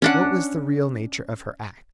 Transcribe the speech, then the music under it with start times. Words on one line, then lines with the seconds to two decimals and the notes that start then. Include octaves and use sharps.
What was the real nature of her act?
0.02 C#4 D4 F#5